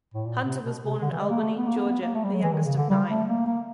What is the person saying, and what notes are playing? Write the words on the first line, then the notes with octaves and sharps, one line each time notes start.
Hunter was born in Albany, Georgia, the youngest of nine.
A2
A#2
C3
B2
C3
D3
E3
G#3
A#3
A3
B3
A#3
B3
B3
A#3
A3
G3
F#3
E3
D#3
C#3
D3
G3
A3
A#3
A#3